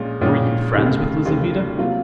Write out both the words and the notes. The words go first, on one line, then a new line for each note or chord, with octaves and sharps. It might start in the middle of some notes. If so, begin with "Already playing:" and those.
"Were you friends with Lizaveta?"
Already playing: A#1 A#2 G#3 C#4
A#1 A#2 G#3 C#4
F1 D#2 C#3
F1 D#2 C#3
C3 F#3 A#3 F4